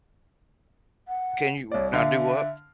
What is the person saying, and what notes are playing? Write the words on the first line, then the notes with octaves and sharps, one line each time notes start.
can you now do what?
F#5
C2 C#5 D5
D3 E5 F5 F6